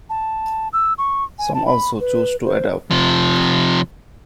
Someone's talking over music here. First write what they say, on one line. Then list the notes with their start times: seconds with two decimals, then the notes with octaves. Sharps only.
Some also choose to adopt.
0.10 A5
0.73 E6
0.98 C#6
1.39 G#5
1.54 A5
1.66 B5
2.00 B4
2.46 C5
2.91 C3 F3